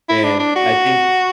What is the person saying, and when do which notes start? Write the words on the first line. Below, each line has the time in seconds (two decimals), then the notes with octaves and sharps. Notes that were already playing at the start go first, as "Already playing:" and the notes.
and I think
0.09 E4
0.24 D4
0.39 D4
0.56 F#4